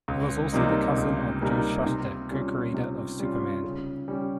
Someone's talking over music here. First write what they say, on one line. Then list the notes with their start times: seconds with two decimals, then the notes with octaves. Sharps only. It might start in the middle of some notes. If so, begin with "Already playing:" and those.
He was also the cousin of Joe Shuster, co-creator of "Superman".
0.08 C#2
0.52 C3 G3 A#3 D#4
0.97 C#2
1.41 C3 G3 A#3 D#4
1.86 C3
2.31 G3 C#4 F4
2.74 C3
3.19 G3 C#4 F4
3.64 C#3
4.08 G3 C#4 G4